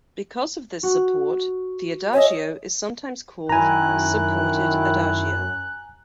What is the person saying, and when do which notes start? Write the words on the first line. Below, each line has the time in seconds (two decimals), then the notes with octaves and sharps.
Because of this support the adagio is sometimes called "supported adagio".
0.83 F#4
2.13 C#5 D#5 E5 G#5
3.49 F#2 D#3 E4 G#5 A#5 F#6